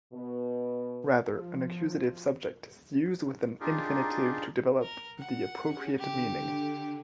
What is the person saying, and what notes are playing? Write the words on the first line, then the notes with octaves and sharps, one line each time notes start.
Rather, an accusative subject is used with an infinitive to develop the appropriate meaning.
B2
F3
D4 D#4 F4 G4 G#4 A#4
A#4
F#5
C#4 G4 G#4
D3 G4